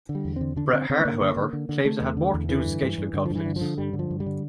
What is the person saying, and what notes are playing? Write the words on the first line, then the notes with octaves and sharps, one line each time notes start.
Bret Hart, however, claims it had more to do with scheduling conflicts.
D3
G3
E2
D3 C4
D3 D4
D4
D3 C4
D3 C4
A3
D3 A#3
D3
D3
D3
D3
D3 A3
E2
D3
E2
D3 E3
G2
G2
G2
G2 D3
F3
G2 E3
D3
F3
D3
G2 G3
D3
F3
G2
G3
D3